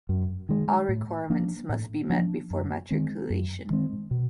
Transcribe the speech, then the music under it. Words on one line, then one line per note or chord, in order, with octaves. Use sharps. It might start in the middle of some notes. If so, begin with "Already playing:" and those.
All requirements must be met before matriculation.
F#2
D#3 G#3
A2
F3 A#3 D4
A2
F3 A#3 D4
F#2
D#3 G#3 C4
F#2
D#3 G#3 C4
B2